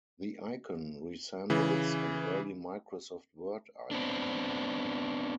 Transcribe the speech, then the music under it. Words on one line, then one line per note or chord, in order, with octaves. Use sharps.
The icon resembles an early Microsoft Word icon.
C#3 E3
B3 C4 D4